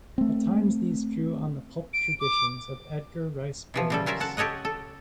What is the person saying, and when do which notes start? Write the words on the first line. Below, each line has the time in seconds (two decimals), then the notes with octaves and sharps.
At times these drew on the pulp traditions of Edgar Rice Burroughs.
0.18 A3 C4
1.93 D7
2.20 D6
3.74 C3 E3 F3
3.90 C#3 G3 A4
4.06 F#3 C#4 F4 A#4 E5
4.20 A4 F#5 A5
4.37 G4 A4 C#5 D#5 F#5
4.65 A4